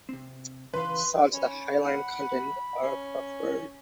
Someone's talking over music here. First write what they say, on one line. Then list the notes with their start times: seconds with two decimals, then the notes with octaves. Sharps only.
Soils with a high lime content are preferred.
0.09 C3 C4
0.74 C#3 E3 B4 F5 C6
1.34 C#4 B5
1.84 F#5
2.83 C#4